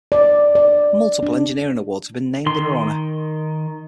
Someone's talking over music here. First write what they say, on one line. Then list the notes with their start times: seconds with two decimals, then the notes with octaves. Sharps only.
Multiple engineering awards have been named in her honor.
0.12 D5
0.55 D5
1.23 D4
2.46 D#3 C6